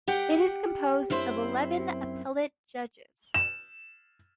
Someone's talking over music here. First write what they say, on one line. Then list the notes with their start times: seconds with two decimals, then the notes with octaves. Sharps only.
It is composed of eleven appellate judges.
0.08 G4 F#5 G5
1.10 F#2 C4 E4 C5
3.34 E7